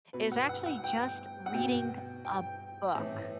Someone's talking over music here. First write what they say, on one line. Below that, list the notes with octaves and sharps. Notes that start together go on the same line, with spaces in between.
is actually, just, reading a book,
B2 B4
F#5
F#5
F#5
G5
F#5
B2 G5
G5
A2 E3